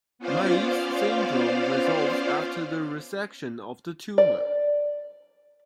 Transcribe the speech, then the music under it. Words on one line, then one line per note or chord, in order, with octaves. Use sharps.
Meigs' syndrome resolves after the resection of the tumor.
B3 C#4 F4 C5 D5 F5
D5